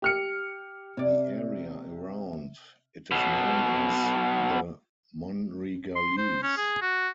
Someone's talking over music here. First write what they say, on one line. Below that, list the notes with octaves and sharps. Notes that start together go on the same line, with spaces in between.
The area around it is known as the Monregalese.
G4 F6 C#7
C3 C#5 D5
B1 B2
C6
C5
C#4
G#4
F#4